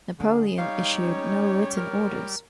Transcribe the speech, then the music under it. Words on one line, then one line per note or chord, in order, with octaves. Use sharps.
Napoleon issued no written orders.
D3 G#4
G3 D#4 C#5 F5
C#4
B2 F#3 A#4 F6